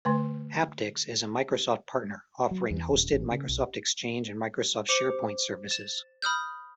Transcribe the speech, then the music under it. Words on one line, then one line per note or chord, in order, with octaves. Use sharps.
Apptix is a Microsoft partner, offering hosted Microsoft Exchange and Microsoft SharePoint services.
D3 A3 B4
F#3
E2
D#1
A1
C#3
B1
C5 D6 C#7 F7
A6 E7
B5 D#6 F6 G6